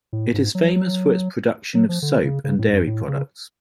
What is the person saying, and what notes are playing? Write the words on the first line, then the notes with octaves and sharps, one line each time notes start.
It is famous for its production of soap and dairy products.
A2
G#2
F#3
F#3
F3
D3
C#3
C#3
A2
F#2
A2
C#3